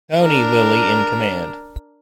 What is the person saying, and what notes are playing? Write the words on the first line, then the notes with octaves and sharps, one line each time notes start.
"Tony" Lilly in command.
D4 A#4